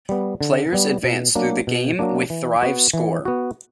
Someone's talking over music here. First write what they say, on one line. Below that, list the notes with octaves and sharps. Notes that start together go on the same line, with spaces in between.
Players advance through the game with Thrive Score.
G3 B3
D3
G3 B3
B2
F#3 A#3 D4
B2
F#3 A#3 D4
E3
B3 F#4
E3
B3 F#4